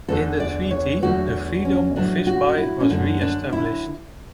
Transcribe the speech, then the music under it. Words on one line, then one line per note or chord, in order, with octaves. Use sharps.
In the treaty, the freedom of Visby was reestablished.
E2 D3 A3 A4
D5
C#5
E2 D3 F#3 A3 F#4
C#4
A2 F#3 A3 D4
F#4
D4
E4
C#4
F#2 D3 A3 D4
D4
E4